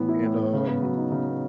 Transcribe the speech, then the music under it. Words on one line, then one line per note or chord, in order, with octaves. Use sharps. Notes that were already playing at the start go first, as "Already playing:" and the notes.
and, um,
Already playing: A2 E3 B3
E4
A2
B3
C#3
B3
F#3
D#4
C#3
B3